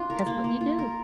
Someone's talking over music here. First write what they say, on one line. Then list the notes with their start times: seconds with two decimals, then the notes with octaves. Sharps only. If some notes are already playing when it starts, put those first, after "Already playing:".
That's what you do.
Already playing: D4 F4
0.10 A#4
0.26 A#3
0.44 A#3
0.61 F4
0.78 A#4